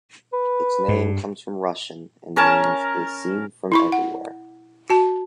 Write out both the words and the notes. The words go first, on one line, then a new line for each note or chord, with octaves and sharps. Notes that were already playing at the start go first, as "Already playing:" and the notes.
Its name comes from Russian and means "is seen from everywhere".
B4
G2
C#4 A#4 C#5 A5
E4 B5 C#6
F#5
F#4 A5